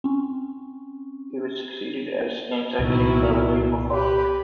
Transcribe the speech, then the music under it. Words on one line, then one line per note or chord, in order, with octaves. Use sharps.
He was succeeded as anti-king by William of Holland.
C4 C#4
C2 A#2 D#3 F#3 B3 E4
G4 B4